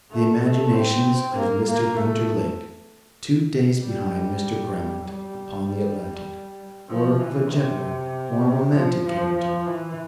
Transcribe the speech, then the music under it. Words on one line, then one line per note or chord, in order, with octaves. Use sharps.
The imaginations of Mr. Gunter Lake, two days behind Mr. Grammont upon the Atlantic, were of a gentler, more romantic character.
A3
A3
C4
A#3
A#3
A3
G3
G3
F3
E3
C3
F3
F3
F3
E3